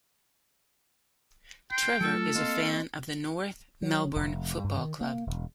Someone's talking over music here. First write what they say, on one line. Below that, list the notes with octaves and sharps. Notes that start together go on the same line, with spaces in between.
Trevor is a fan of the North Melbourne Football Club.
G5 C6
F#3 A3 F4 A4
A#3 C4 D#5 F5
F#3
F1
G2
D#3
A#3
E1